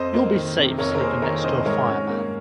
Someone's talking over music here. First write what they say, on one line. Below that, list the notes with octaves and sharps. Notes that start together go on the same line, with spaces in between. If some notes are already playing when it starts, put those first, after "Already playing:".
You’ll be safe sleeping next to a fire man.
Already playing: F2 C5 D#5
A#3
D#3
C3
F2 A#4 C#5
A#4
A#3 G#4 C5
D#3 A#4 C#5
C3 C5 D#5
G#2 A#4 C#5
C#4
A#3